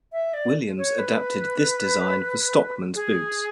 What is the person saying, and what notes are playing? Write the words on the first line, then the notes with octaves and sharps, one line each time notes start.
Williams adapted this design for stockmen's boots.
E5
D5
C#5
B4
G#4